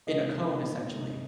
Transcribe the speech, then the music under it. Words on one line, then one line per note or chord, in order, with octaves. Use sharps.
in a cone, essentially.
C3 D#3 G#3 D#5
C3 D#3 G#3